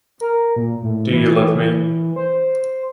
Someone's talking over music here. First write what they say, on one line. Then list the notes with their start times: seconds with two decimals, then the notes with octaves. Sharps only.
Do you love me?
0.21 A#4
0.56 A#2
0.83 A2
1.11 E3
2.16 C5